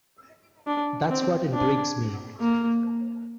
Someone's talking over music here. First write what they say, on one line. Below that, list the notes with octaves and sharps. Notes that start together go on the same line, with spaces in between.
That's what intrigues me.
D4
C4
D4
A#3